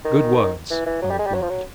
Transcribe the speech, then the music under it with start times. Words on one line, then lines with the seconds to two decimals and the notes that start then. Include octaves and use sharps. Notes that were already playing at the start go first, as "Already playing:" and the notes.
'Good words,' I replied.
0.05 D#3
0.70 E3
0.86 E3
1.02 F#3
1.10 G3
1.19 G#3
1.27 G3
1.34 F#3
1.42 F3
1.49 F#3